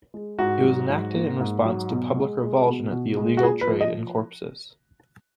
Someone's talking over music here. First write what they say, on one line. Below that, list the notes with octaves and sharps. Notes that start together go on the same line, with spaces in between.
It was enacted in response to public revulsion at the illegal trade in corpses.
G#3
G#2 F#4
F#3
G#2
A#3
G#2
F#3
B2
G#3
G#3
B2
B2
G#3
F#4
A#2 G#4
B4
F3
D#5